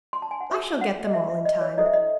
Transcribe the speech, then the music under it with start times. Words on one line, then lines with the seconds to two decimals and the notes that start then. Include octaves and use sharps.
"I shall get them all in time."
0.13 C6
0.22 A5
0.31 G#5
0.40 F#5
0.50 F#4 C5 E5
0.81 F#5
1.07 D#5
1.13 E5
1.30 E5
1.46 D#5
1.61 C#5
1.77 E4 A4 C5 D#5
1.86 E5
1.93 D#5